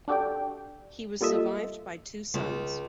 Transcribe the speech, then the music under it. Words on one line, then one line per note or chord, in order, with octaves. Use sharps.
He was survived by two sons.
D4 F#4 G4 A4 D5 G5
G3 A#3 F4 A4 D#5 E5
C#2